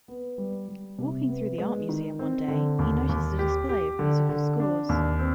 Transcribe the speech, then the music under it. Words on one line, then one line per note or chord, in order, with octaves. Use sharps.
Walking through the art museum one day, he noticed a display of musical scores.
B3
G3
G3
C3
B3
G#3
D#3
C4
D3
D#2
D#2
G4
G4
D3
D3
D4
D#2
C4